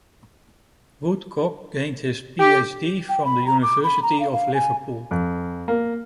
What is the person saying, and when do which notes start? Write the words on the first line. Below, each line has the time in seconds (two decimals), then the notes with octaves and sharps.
Woodcock gained his PhD from the University of Liverpool.
2.40 G4
3.09 G5
3.25 B5
3.46 A#5
3.63 D6
3.84 B5
4.03 A#5
4.20 F5
4.33 F5
4.54 G#5
5.11 F2
5.68 A#3